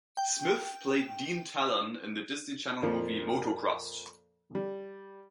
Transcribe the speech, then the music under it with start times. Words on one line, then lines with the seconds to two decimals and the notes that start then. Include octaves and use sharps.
Smith played Dean Talon in the Disney Channel movie "Motocrossed".
0.17 G5
2.82 F2 A#2 F3 A#3
4.55 G3